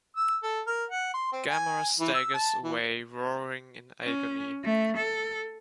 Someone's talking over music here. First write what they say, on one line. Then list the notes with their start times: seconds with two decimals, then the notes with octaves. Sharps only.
Gamera staggers away, roaring in agony.
0.16 E6
0.43 A4
0.67 A#4
0.90 F#5
1.14 C6
1.32 C4
1.49 G#5
2.00 E3
2.14 E6
2.34 A5
2.64 E3
4.02 C#4
4.64 A3
4.97 A4